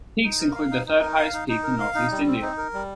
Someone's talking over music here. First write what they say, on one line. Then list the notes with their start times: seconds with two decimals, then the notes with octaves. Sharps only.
Peaks include the third highest peak in northeast India.
0.24 D#4
0.40 A#4
0.55 F5
0.71 D#4
0.87 D#4
1.02 A#4
1.17 F5
1.33 D#4
1.48 D#4
1.63 A#4
1.80 F5
1.95 D#4
2.11 G3
2.27 C4
2.42 D#4
2.57 A#4
2.74 G3